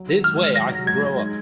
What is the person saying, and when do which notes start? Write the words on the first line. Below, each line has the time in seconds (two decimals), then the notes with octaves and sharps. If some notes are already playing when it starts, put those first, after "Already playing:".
This way I can grow up.
Already playing: F#3
0.09 D#3
0.24 G#3 F6
0.40 G#3
0.56 F#3 A#6
0.71 F#3
0.86 G#3 G#6
1.03 G#3
1.18 D#4